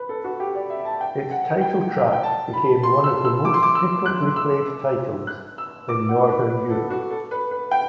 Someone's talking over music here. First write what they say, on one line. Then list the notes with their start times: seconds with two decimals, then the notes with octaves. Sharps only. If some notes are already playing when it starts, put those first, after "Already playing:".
Its title track became one of the most frequently played titles in Northern Europe.
Already playing: B4
0.09 A4
0.24 F#4
0.40 G4
0.55 D5
0.70 E5
0.85 A5
1.01 G5
1.31 F#5
1.61 G5
2.13 G5
2.23 A5
2.53 B5
2.83 C6
3.04 E6
3.25 E6
3.45 D6
3.54 C6
3.63 D6
3.75 E6
4.06 F#6
4.36 E6
5.27 F#6
5.58 E6
5.89 D6
6.09 F#5
6.29 B4
6.50 B4
6.70 A4
6.90 F#4
7.10 A4
7.31 B4
7.51 B4
7.71 G5